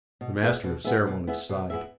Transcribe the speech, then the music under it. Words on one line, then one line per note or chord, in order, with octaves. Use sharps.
The Master of Ceremonies sighed.
B2
B3 E4 G#4 E5
B2
B3 E4 G#4 E5
B2
B3 E4 G#4 E5
B2
B3 E4 G#4 E5